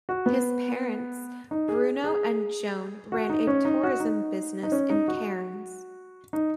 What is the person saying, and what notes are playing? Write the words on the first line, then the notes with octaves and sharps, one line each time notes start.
His parents, Bruno and Joan, ran a tourism business in Cairns.
F#4
B3
D#4
G#4
G#4
F#4
D#4
C#4
D#4
F#4
D#4
D#4
C#4
D#4
F#4
D#4